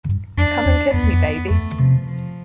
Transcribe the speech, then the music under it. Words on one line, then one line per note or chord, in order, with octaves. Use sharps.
Come and kiss me, baby.
G2
F2 D4
E2
F2 B3
E2
F2
F2 A3
C3 F3
F3